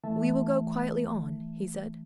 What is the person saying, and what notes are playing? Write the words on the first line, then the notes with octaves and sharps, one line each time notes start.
"We will go quietly on," he said.
E3 A3 E5 A5